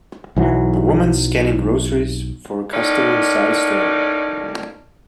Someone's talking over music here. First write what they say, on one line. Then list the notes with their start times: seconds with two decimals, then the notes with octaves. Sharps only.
A woman scanning groceries for a customer inside a store.
0.36 B1 E3 F#3
2.72 A2 A#3 C#4 D#4 D5